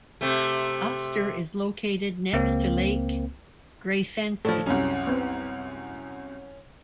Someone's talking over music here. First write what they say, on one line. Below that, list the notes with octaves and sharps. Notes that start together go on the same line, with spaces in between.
Uster is located next to lake Greifensee.
C3 A3
C#2 A#3 C4
A2 F3 A4 D5 F5
C2 F#2 C#4
B3 C4